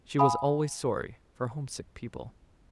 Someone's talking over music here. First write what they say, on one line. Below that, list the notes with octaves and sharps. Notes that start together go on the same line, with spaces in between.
She was always sorry for homesick people.
F5 G#5 B5 D#6